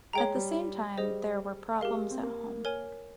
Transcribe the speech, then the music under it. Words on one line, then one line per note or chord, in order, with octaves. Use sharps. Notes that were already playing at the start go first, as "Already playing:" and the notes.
At the same time there were problems at home.
G#3 C#5 G5 A#5
G3
G3 G#4 C5 D#5
G#3 G4 A#4 F5
C4
A#3
A#4 C#5 G#5